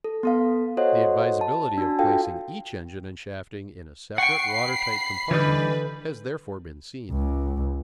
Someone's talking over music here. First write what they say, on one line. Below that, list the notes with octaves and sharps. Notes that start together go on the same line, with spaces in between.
The advisability of placing each engine and shafting in a separate water-tight compartment has therefore been seen.
A4
B3 A4 F5
F#4 A4 C5 C#5 D#5 F#5
A5
D4 F#4 A5
F4 F#4 A4 F5 G5
F#5 G5 C#6 C7 C#7
B5
D3 E3 G3 D#4 B4
C#2